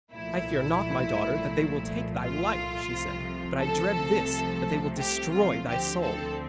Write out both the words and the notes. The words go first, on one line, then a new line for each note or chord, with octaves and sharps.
'I fear not, my daughter, that they will take thy life,' she said, 'but I dread this--that they will destroy thy soul!'
C2 A#2 F3 A3 E4
F4
C2 C3 F3 A3
A4
G4
F4
D2 D3 F3 C4 G4
A4